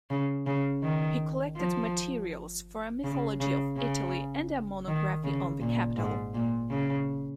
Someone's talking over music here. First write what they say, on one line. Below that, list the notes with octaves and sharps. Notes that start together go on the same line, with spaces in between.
He collected materials for a mythology of Italy and a monography on the Capitol.
C#3
C#3
D#3
F3
C#3
C#3
C#3
D#3
C#3
A#2
G#2
A#2
C#3